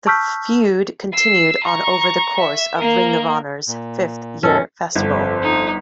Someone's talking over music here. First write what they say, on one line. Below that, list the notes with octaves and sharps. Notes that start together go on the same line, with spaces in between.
The feud continued on over the course of Ring of Honor's Fifth Year Festival.
A5 C#6 E6 F6 G6 B6
E6 C7
A#5 C#6
E5
A#3 A#4
A#2
F#2 B2 C#4 A4
G1 F2 A4 C5
D#4